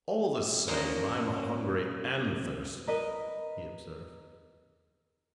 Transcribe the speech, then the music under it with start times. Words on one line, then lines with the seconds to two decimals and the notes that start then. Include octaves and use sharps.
"All the same, I'm hungry and thirsty," he observed.
0.68 F#2 A#2 D#4 C5 D#5 A#5
2.87 A#4 B4 D#5